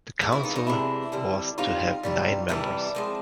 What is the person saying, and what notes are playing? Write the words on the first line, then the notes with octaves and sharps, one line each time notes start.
The Council was to have nine members.
C3 E3 G#3
E4 F#4
D#4 F4
D#4
C3 E3 G#3 D4 E4
D3 G3 C4
D3 G3 C4 D#4 F4
C3 E3 G3
C3 E3 G3 D4 E4
F3 G#3 C4